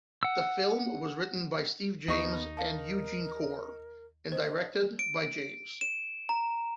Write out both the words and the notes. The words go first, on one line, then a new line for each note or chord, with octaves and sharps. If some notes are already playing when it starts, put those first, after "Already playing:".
The film was written by Steve James and Eugene Corr, and directed by James.
F#5 E6
D#2 B3 D#4 C#6
A#4 F5 A5
C5 D#5
D7
E7
A#5